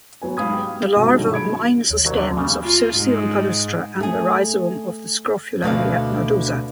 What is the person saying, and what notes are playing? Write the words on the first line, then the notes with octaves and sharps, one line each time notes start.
The larva mines the stems of "Cirsium palustre" and the rhizome of "Scrophularia nodosa".
F#3 B3 G#5
G#2 F5 B5 D#6 G#6
G4
G#2 C3 F#4
G2 B2 D#3 F#3 G#4 A4
G#3 B5 G#6 D7
D#2 C#5
C2 F#3
D3 F#3 D4
C#3 G3 A#3 C4
F4
G#2
A3 G#4
D2 B2 D3 F5